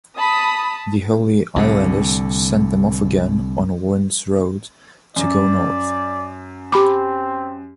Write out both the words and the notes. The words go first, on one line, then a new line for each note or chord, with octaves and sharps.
The Holy Islanders send them off again on Wind's Road to go North.
A5 B5 D#6
C2 A2 D3
F#2 D5
C4 G4 B5 D6